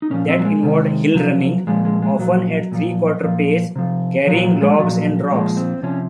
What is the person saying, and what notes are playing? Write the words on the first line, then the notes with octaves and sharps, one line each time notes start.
That involved hill running, often at three-quarter pace, carrying logs and rocks.
D#4
A#2 F3 C#4
C4
F#3
G#3
C3 D#3
C3 F3 F#3
A#2 F3 G#3
G#3
G#3
A#2 F3 F#3
A#2 F3
A#2 F3
C3 F3
A#2 F3 F#3
F#3
G#3
A#2 F3 F#3
A#2 F3 G#3
C4
C3 F3 C#4